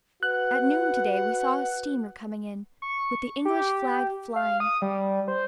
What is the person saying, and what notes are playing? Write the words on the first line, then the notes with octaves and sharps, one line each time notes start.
At noon to-day we saw a steamer coming in, with the English flag flying.
F#4 B4 F#5 F#6
C#6
G4
F5
D#6
G3
C5